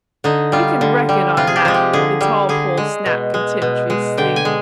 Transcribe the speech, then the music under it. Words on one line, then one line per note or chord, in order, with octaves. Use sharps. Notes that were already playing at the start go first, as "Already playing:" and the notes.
"You can reckon on that," the tall Pole snapped contemptuously.
D3 D#4
G3 F4
D3
G3
C3 F4
G#4
G4
F3 G#3
G4
D3 G#4
G3
D3 G#4
G#3
B2
G#3
B2
G#3
D3 G5
G#5
G#3